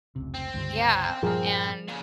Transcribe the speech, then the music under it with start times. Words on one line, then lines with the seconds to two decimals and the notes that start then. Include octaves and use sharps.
yeah, and
0.16 F1 C#2 C3
0.34 C4
0.54 C#2 G2 D3
1.23 G2 A#2 F3 G3 G#4 A#4
1.88 A#2 C#3